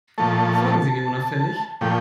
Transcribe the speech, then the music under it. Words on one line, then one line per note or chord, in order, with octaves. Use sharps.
Folgen Sie mir unauffällig.
A#2 F3 A3 A5
A#2 F3 A3 G5